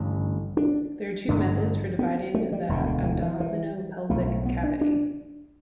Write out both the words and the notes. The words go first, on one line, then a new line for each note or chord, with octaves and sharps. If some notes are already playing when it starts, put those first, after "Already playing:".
There are two methods for dividing the abdominopelvic cavity.
Already playing: A1 G2 D3
D4
A1 G2 D3 D4
B3
A3
G3
E1 D2 D3
D3
E3
E3
E3
B1 A2 A3
A3
B3
D4
D4